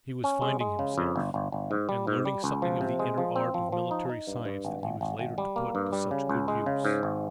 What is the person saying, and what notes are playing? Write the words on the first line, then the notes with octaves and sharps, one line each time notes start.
He was finding himself, and learning something of the inner art of military science that he was later to put to such good use.
C#4
G#3
G#3
C#3
F2
G1
G1
G1
G#2
G3
G#2
G3
C#2
F3
C3
G#3
F3
C4
F3
F3
D#4
D#4
G2
G2
G#1
G#1
G#1
G#1
G3
A#3
G2
G3
C#3
C#2
G#3
C#3
G#2
G#1